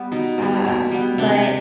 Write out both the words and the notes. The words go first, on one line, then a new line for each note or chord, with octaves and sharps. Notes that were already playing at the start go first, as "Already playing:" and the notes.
uh, but
Already playing: G3 B3
B2 D#4
G3 B3
B2
G3 B3
C3 D4